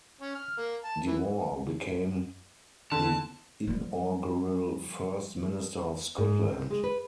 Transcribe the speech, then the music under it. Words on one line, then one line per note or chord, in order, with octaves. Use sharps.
Dewar became the inaugural First Minister of Scotland.
C#4
F6
A#3
A5
E3
D3 A5
F3 G3
G#2
C4
G#3
B4